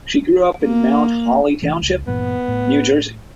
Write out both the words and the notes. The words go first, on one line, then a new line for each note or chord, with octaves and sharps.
She grew up in Mount Holly Township, New Jersey.
A#3
C2 E3 A3
C#2
G2 A#2 E3 B3
A2